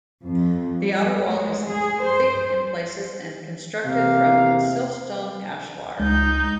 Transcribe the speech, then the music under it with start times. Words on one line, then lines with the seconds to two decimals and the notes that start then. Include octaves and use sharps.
The outer wall is thick in places and constructed from Siltstone ashlar.
0.24 F2
0.81 G3
1.27 G#3
1.69 G#4
2.03 C5
3.86 E2 C3 A#3 F5
5.99 C#2 G#3 D#4 G6